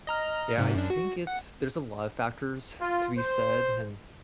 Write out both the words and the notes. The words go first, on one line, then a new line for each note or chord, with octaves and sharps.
Yeah, I think it's there's a lot of factors to be said and
D#5 A#5 F6
G#2 C3
F#2 D4
F#4
F#5
F4
C5